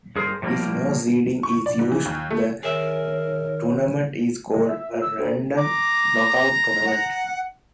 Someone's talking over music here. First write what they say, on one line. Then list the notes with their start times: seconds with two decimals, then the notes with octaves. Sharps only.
If no seeding is used, the tournament is called a random knockout tournament.
0.16 G2 G#4 A#4 C5
0.42 A2 F3 G3 A#3
1.43 C#6
1.66 D5
1.79 G#2
1.92 E3
2.05 D#2
2.31 A3
2.63 D#3 G#4 A#4 C#5 E5
4.53 G#3
4.68 E5
4.90 A#2
5.02 E6
5.18 D2
5.57 A#5 D6
6.86 F#5